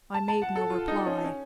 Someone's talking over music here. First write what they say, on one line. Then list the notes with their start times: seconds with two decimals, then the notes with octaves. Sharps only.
I made no reply.
0.14 A5
0.28 A5
0.42 F#5
0.56 A4
0.70 F4
0.88 D#4
1.06 C#4
1.25 C#4